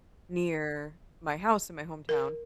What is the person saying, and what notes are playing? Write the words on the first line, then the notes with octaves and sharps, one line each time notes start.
near my house in my hometown.
A#4